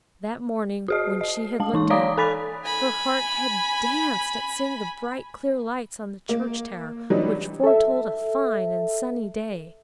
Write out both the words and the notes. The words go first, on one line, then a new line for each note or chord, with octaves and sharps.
That morning when she had looked out, her heart had danced at seeing the bright clear lights on the church tower, which foretold a fine and sunny day.
F#4 G#4 D#5
D#5
G#3 A5
E3 D#4 C#6
C#5 D5 F5 A#5 D6 D#6
A4 G#5 B5 A6 B6
G#5 B5
A#3
E3 F#3 G3 D4 D#4
A4 E5